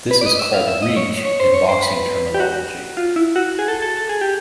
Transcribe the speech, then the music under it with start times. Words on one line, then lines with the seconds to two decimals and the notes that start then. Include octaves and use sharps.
This is called reach in boxing terminology.
0.11 B4
0.21 D5
0.26 D#5
0.39 E5
0.54 F5
0.68 E5
0.82 D#5
0.97 C#5
1.25 C#5
1.40 C5
1.54 C#5
1.69 C5
1.82 B4
2.34 G4
2.40 F#4
2.97 F4
3.16 E4
3.36 F#4
3.59 G#4
3.68 A4
3.82 A4
3.97 A4
4.09 G#4
4.21 G4